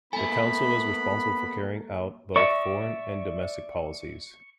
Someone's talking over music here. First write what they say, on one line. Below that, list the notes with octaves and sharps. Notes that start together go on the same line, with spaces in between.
The Council is responsible for carrying out both foreign and domestic policies.
A#3 B3 A4 G#5 B5
D5 E5 C#6